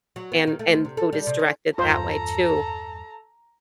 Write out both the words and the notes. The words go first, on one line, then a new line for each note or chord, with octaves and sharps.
And and food is directed that way too.
F#3
B3
D#3
A3
D2
C3
A4
G3
C3
C#4
E2 G2 F4 A4 C5 A#5